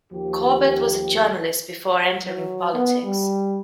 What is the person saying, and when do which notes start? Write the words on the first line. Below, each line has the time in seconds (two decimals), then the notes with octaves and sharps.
Corbett was a journalist before entering politics.
0.12 D#2 F3 G4
2.25 F#3
2.74 B3
3.04 G3